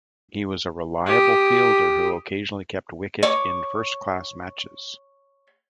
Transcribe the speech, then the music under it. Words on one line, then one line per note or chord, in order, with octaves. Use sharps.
He was a reliable fielder who occasionally kept wicket in first-class matches.
G4 D#6
C#5 D6